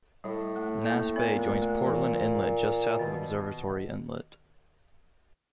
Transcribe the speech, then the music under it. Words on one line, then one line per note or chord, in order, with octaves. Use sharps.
Nass Bay joins Portland Inlet just south of Observatory Inlet.
A2 G3
A3
A#3
A#2 B3
A3
A3
E3
B2 D#3